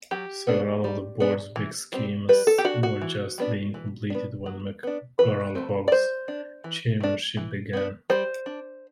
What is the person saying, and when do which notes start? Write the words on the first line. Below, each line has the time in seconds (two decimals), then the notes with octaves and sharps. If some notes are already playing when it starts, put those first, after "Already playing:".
Several of the Board's big schemes were just being completed when McGarel-Hogg's Chairmanship began.
0.11 F#3 G4
0.47 B3 D4
0.84 G3
1.20 B3 D4
1.56 E3
1.93 G3 C4
2.29 G3 B4
2.47 A4
2.58 G4
2.65 D4 F#4
2.83 F#4
3.02 E3
3.38 G3 B3 D4
3.74 E3
4.10 B3 D4
4.46 F#3
4.83 B3 D4
5.19 E3 B4
5.55 A3 C4
5.88 D5
5.92 G3 C5
6.28 D4
6.64 E3
7.00 A3 D4
7.37 E3
7.73 B3 D4
8.10 G3 C5
8.46 D4